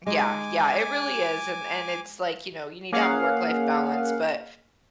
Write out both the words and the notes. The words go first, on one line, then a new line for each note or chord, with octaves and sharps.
Yeah, yeah, it really is, and and it's, like, you know, you need to have a work-life balance, but
G#3 D#4 G#5 D6
A#3 C#4 G#4 F5 F#5